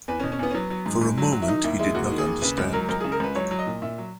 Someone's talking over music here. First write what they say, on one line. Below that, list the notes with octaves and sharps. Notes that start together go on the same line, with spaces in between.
For a moment he did not understand.
E2 B4
C#4
B2
C#4
E2 B3
C#4
F#3 B3
F#3
G#2
G#2
F#3
F#3
E4
D#3 D#4
D#2 E4
G#3 E4
D#2 F#4
D#3
G#4
D#2
C#3 B4
C#2
F#3 A#4
C#2 A#4
C#3 G#4
A#4
C#2 B4
F#3 C#5
F#3
D#5
A#2
A#2 E5
F#3